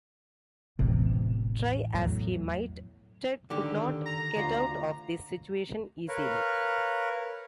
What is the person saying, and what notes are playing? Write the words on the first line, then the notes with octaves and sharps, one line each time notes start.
Try as he might Ted could not get out of this situation easily.
E1 A1 E2 C3
E2 A2 F#3
D3 D#3 G4
A#5
D2 F4
A#4 B4 C#5 F5